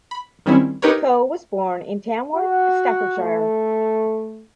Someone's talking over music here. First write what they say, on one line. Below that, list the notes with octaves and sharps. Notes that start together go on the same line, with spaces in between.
Coe was born in Tamworth, Staffordshire.
B5
D#3 G3 C4 C#4 E4
D#4 G4 A#4 B4 C#5
F#4
A3